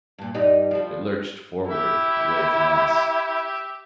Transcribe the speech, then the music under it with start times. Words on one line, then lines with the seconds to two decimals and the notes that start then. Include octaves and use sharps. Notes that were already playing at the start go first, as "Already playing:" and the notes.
It lurched forward--away from us.
0.19 G2 A#2
0.35 G2 G3 D#4
0.71 F3 G3
1.71 E4 G4 E5